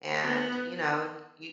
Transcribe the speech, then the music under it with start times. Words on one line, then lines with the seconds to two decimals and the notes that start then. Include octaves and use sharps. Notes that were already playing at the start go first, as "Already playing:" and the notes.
and, you know, y
0.24 B3